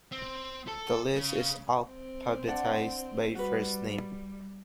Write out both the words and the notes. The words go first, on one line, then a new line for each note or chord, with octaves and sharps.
The list is alphabetized by first name.
C4
A4
C#3
C4
D4 D5 F#5
G3 F#4 B4